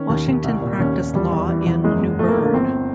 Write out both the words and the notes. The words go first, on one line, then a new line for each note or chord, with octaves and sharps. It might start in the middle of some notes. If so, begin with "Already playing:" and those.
Washington practiced law in New Bern.
Already playing: D#3 C#4
D#2
D#2
C2
A#2
D#2 C#4
D#2
E2 G3
E2
E3
E2
F#1 G#3
F#1
A#1 A3
A#3
A#1
A#3
G1 C4